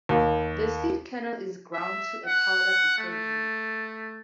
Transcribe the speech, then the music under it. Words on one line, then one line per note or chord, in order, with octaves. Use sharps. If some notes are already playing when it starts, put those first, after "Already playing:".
The seed kernel is ground to a powder before use.
D#2
E5
F#5
A3